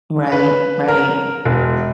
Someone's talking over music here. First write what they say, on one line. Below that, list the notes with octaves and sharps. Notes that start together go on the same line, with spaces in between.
Right. Right.
B4
A#4
E1